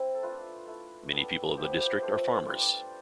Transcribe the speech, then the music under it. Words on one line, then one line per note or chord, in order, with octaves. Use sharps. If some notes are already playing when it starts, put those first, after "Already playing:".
Many people of the district are farmers.
Already playing: C4 E4
A4
A3 D4 F4 B4
A3 E4
G3 B3 D4 A4
F3 B3 E4 G4
G4
A3 D4 F4 C5
G3 D4 F4 D5
D5